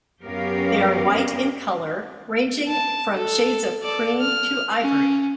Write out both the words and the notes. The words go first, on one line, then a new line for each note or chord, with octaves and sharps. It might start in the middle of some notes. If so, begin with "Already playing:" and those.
They are white in colour, ranging from shades of cream to ivory.
F#2 B3 C#4 G4 A#4 F5
A5
A4
A4 D5
F6
C#4